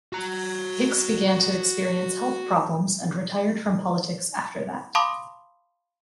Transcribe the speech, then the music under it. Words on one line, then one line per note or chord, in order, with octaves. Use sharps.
Hicks began to experience health problems and retired from politics after that.
F#4 A#5
F5 A5 B5 C6 D6 D#6